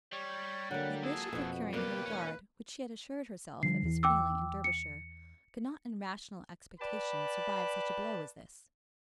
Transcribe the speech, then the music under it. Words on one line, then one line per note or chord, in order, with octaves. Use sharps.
The wish of procuring her regard, which she had assured herself of his feeling in Derbyshire, could not in rational expectation survive such a blow as this.
G3 C#5
D3 F#3 A#3 F#5
A#2 G#4 A4
F2 B2 F#4
B2 A#3 G4 B4 D5
E1 C#4
D3 F3 G3 C7
E2 E3
G5 D6 E6
C#7
B4 D5 G5 A5 B5